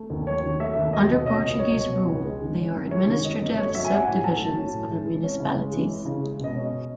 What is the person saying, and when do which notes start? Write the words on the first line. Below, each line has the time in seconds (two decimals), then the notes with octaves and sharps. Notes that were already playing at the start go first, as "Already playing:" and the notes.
Under Portuguese rule, they were administrative subdivisions of the municipalities.
Already playing: A3
0.10 D#2
0.27 F#3 C#5
0.43 D#3
0.60 A3 E5
0.76 D#2
0.93 F#3 D#5
1.10 B2
1.26 C#4 D#5
1.42 C#2
1.59 F#3 C#5
1.76 B2
1.93 C#4
2.09 C#2
2.25 G#3
2.42 D#3
2.58 C#4
2.75 F#2
2.91 G#3 C#5
3.07 D#3
3.24 C#4 D#5
3.41 F#2
3.58 A3 C#5
3.74 F#3 E5
3.85 G#5
3.90 C#4 F#5
4.07 A2 G#5
4.23 A3 A5
4.41 F#3
4.57 C#4
4.74 A2
4.89 G#3
5.06 E3
5.23 C#4
5.40 C#3
5.55 G#3
5.73 E3
5.88 C#4
6.05 C#3
6.22 G#3
6.39 B2 D#5
6.55 C#4